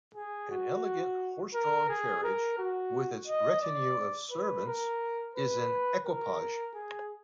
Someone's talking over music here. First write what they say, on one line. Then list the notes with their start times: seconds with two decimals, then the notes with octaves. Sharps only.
An elegant horse-drawn carriage with its retinue of servants is an "equipage".
0.15 G#4
0.50 F#4
1.54 A#4
1.89 G#4
2.24 A#4
2.59 F#4
3.27 D#5
3.62 D5
4.31 B4
4.66 A#4
5.35 B4
6.05 A#4
6.74 G#4